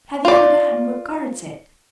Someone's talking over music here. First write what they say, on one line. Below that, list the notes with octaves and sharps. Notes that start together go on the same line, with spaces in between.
"Have you forgotten what guards it?"
F4 D5